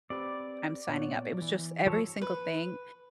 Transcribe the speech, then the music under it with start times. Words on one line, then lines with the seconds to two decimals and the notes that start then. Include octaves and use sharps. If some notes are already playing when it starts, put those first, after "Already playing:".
I'm signing up." It was just every single thing
0.10 C4 G4 B4 D5
0.88 A#2 B3 C#5
1.42 E3
1.87 F3 A4 C#5
2.21 B4